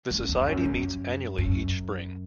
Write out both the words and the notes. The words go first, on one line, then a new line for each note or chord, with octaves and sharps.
The society meets annually each spring.
F#2
E2
F#2
F#2
F#2